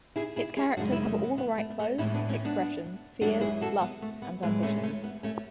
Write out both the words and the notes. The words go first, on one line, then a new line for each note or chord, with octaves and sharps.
Its characters have all the right clothes, expressions, fears, lusts and ambitions.
E4 G#4
E4 G#4
E4 G#4
F#2 C#3 G#3 D4 F#4
C#4 E4
A3
B3
B3
A3
A3
A2 E3 G#3 C#4 E4
B3 D4
A3 C#4
B3 D4
F#2 E3 G#3 D4 F#4
E4 G#4
F#4 A4
B3
A3
B3
A2 E3 G#3 B3
A3 C#4
A3 C#4
B3
A3 C#4